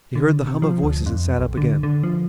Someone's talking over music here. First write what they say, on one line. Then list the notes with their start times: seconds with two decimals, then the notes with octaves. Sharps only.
He heard the hum of voices and sat up again.
0.15 D3
0.47 C3
0.62 F3
0.83 D2
1.06 F2
1.38 B1
1.57 D3
1.83 D3
2.03 F3